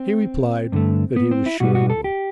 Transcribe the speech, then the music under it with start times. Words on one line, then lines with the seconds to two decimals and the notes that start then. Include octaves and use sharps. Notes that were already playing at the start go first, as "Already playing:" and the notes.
He replied that he was sure he would.
Already playing: C4
0.72 G2 D3 A3
1.16 B3
1.31 C4
1.46 E4
1.60 B2 G3 B3 F#4
1.75 F#4
1.90 A4
2.04 G4